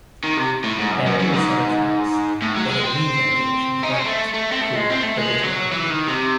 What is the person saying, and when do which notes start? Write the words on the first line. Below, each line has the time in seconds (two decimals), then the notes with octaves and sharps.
There are also accounts that a new variation developed called the Little Apple.
0.24 D#3
0.37 C3
0.64 A2
0.79 G#2
0.91 F#2
1.06 F#2
1.19 F#2
1.33 G#2
2.42 A2
2.57 F#3
2.70 G#3
2.84 C4
3.83 D#4
3.91 C#4
3.99 C4
4.07 A3
4.34 A3
4.51 C4
4.61 A3
4.75 G#3
4.90 C4
5.03 A3
5.17 G#3
5.43 F#3
5.72 E3
5.90 D#3
6.08 C3